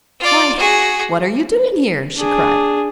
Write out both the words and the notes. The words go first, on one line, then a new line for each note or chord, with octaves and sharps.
"Why, what are you doing here?" she cried.
F4 D5
F#4 G#4
D4 G#4